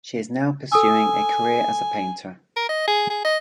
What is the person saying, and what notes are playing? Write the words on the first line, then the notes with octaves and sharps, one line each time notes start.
She is now pursuing a career as a painter.
A4 G#5 D#6 E6
A#4
D#5
G#4
G#4
D#5